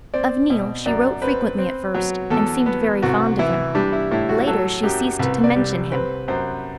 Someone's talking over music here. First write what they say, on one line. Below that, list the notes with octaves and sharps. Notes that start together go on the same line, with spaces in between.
Of Neil, she wrote frequently at first, and seemed very fond of him. Later she ceased to mention him.
C4 D5
B2
F#2 D5
C4 B4
C4
F#3
E2 A4
B3
C2 F#4
E3 E4
G3 D4
E4
A2 E4
F#4
F#3 A4
F#2 G4
C2 B4
D5
G3
C4 B4
F#2 C5